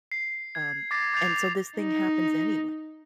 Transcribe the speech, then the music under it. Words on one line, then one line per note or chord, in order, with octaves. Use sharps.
um, and so this thing happens anyway.
C7
G#6
D6 A6 A#6 C7
D6 G6 A6 A#6 C7 F7
D#4